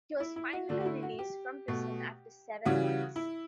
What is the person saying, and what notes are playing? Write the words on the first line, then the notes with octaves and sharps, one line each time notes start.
He was finally released from prison after seven months.
E4
E4
F#4
D3 A3 D4
F#4
E4
F#4
G4
B2 A3
C#3 E3 G3 F#4
E4